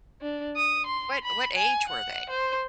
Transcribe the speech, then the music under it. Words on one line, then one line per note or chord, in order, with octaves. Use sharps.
What what age were they?
D4
D#6
C6
B5
G#5
F#5
C5